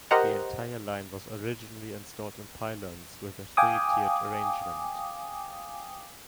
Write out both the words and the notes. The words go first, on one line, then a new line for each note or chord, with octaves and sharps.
The entire line was originally installed on pylons with a three-tiered arrangement.
G4 A#4 C5 D#5 F#5 A#5
F5 G5 G#5 D6 D#6